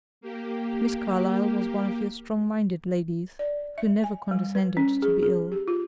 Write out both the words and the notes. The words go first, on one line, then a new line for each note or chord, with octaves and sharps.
Miss Carlyle was one of your strong-minded ladies, who never condescended to be ill.
A#3 G4
D5
E5
G#5
G3
B4
C#4
G#4
G#4
G4
F4